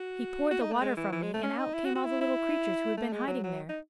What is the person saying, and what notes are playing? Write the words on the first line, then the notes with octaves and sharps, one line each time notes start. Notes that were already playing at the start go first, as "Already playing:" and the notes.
"He poured the water from me, and out came all the little creatures who had been hiding there!"
Already playing: F#4
F#4
D#4
A3
G#3
E3
E3
G#3
A3
C#4
D#4
E4
F#4
F#4
E4
E4
A3
G#3
F#3
F#3
D#4